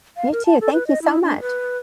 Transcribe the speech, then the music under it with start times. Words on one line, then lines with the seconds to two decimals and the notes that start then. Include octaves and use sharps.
You too. Thank you so much.
0.16 F5
0.33 A#4
0.46 A5
0.61 A4
0.73 B4
0.87 D#5
1.02 E4
1.23 D4
1.40 B4